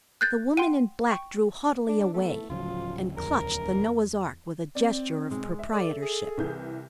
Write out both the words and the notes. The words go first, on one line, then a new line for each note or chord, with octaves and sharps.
The woman in black drew haughtily away and clutched the Noah's ark with a gesture of proprietorship.
F#6 G6 A6
F#5 G5 C6 D#7
G5 C#6
D4
A3 B3 E4 A4
D1 A2 C#3 F3 F#3 F4
E2 A#4
C4 D5
B1 G#3
E5
A4 D5
G#4
C2 E3 G6